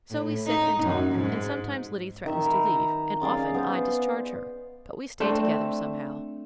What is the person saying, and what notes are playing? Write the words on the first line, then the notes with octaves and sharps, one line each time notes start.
So we sit and talk, and sometimes Liddy threatens to leave, and often I discharge her, but we stay together somehow.
A2
D#4
F#2
G#2
D#3 E5
B5
A#5
C#4 G#4 D5 F5
B3 C5
A3 C4 D4